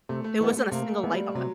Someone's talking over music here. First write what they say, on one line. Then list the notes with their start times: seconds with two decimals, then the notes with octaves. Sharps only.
There wasn't a single light on.
0.09 C3 A3
0.24 A3
0.40 E3 G#3 A3 B3
0.57 A3
0.72 C3 A#3
1.03 E3 G#3 B3
1.14 G3
1.35 C3 F#3